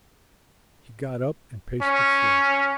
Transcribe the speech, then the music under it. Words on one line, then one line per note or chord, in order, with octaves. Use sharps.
He got up and paced the floor.
C#4